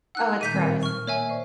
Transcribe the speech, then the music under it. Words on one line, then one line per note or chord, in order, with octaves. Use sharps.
oh, it's gross.
D#4 F#5 E6 F#6
A#2 D#3 G6 B6 D#7
A2 D#3 G3 C4 A#4 G#5
C#6 F6
A#3 C#5 E5 G#5 E6
C5 D5 C#6